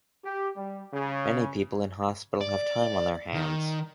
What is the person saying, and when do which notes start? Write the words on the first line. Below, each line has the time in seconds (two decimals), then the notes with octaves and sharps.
Many people in hospitals have time on their hands.
0.25 G4
0.57 G3
0.93 C#3
2.41 D5
3.34 D#3